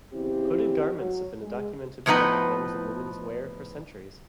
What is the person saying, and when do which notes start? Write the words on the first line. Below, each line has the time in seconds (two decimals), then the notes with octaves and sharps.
Hooded garments have been a documented part of men's and women's wear for centuries.
0.13 E2 C#3 C4 E4 G4
0.98 F#3
1.41 G#3
2.06 A2 F3 F#3 B3 D#4 B4